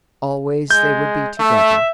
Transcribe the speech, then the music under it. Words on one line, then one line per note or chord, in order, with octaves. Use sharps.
Always they would be together.
G#3 G6
A3 E5